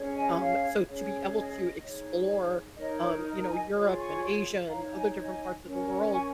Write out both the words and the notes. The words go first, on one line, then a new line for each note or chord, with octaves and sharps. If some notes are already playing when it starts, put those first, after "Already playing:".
um, so to be able to explore, um, you know, Europe and Asia and other different parts of the world,
Already playing: C#4 G#4 C#5
D#5 G#5
C#5 F5
C#4 G#4 C#5
D#5
D#4 G#4 C#5
D#4 A#4 C#5 D#5
C#5
D#5
A#5
D#5 G#5
F4 G#4 C#5
G#5 C#6
D#4 C#5 F5 A#5
D#5 G#5
D#5 G#5
C#4 A#4 C#5
G#5 C#6